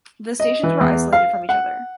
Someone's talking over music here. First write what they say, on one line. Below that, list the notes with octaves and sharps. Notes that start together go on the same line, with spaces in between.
The stations were isolated from each other.
D#5
E3
E2
F5
F#5